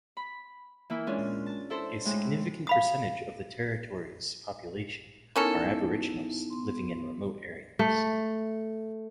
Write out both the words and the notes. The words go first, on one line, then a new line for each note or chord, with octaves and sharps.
A significant percentage of the Territory's population are Aboriginals living in remote areas.
B5
E3 A#3 E4
G#3 C#4 D4 F4
A5
E4 A4 C5
A2 G#3
F5 B5 D#6
A#3 B3 C#4 D#4 E4 A4
B3 C6
A3